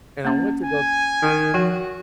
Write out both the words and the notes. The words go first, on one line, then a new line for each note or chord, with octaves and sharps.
and I went to go
A#3 C#4
G#5
D#3
F3 F#4 G5